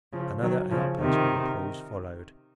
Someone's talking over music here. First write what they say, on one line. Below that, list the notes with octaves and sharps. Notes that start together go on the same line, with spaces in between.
Another outburst of applause followed.
C#3 F3
D#3 F#3
C#3 F3
C3 D#3